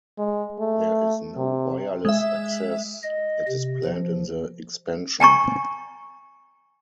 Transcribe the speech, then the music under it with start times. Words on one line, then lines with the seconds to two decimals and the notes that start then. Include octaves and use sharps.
There is no wireless access; it is planned in the expansion.
0.19 G#3
0.60 A3
1.37 C3
2.05 G#3 E5
3.04 D#5
3.49 C3
3.85 F3
5.20 G5 G#5 A#5 C#6